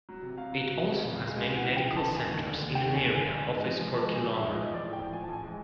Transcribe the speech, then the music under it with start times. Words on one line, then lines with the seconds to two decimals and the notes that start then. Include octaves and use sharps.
It also has many medical centers in an area of a square kilometer.
0.09 F#3
0.23 C3
0.37 F#3 F5
0.52 F#3
0.68 F#3
0.82 F2
0.98 C#2
1.11 C#2
1.27 G#3
1.42 C#3
1.56 E3 F#5
1.71 C#3
1.77 G5
1.87 E3
1.96 A5
2.02 C#3
2.16 D#2 G#5
2.31 D#2
2.45 D3
2.61 D#2
2.75 D3 G5
2.90 D#2 G#5
3.06 D3
3.14 G#5
3.20 D3
3.35 G#2 G#5
3.50 G#3
3.65 F3
3.80 F3
3.94 G#3 A5
4.09 F3
4.14 G#5
4.23 G#2
4.33 E5
4.39 G#3
4.53 F3 D#5
4.68 F3
4.74 D5
4.83 A2
4.93 G5
4.98 A2
5.13 F3 G#5
5.23 A5
5.28 A1
5.33 G#5
5.43 G#3